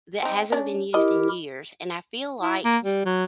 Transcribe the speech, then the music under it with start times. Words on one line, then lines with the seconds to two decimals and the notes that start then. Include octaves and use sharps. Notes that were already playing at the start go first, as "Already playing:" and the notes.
that hasn't been used in years, and I feel like
0.23 C4 D#4
0.52 C#4 D4
0.94 E4 G4 A#4 D#5
2.40 E4
2.65 A#3
2.84 G3
3.05 F#3